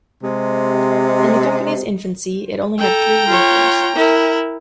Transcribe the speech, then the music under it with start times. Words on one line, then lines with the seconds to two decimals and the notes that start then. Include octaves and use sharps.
In the company's infancy, it only had three workers.
0.22 C3 G#3
2.78 A4 G5 A#5
3.27 F4 C#5
3.95 E4 A#4